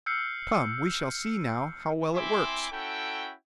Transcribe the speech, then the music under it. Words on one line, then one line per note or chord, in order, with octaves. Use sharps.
"Come, we shall see now how well it works."
E6 F6 G6 C7 C#7
C4 E4 E5 G#5 C6 D6
C#4 E4 F#4 A4 G5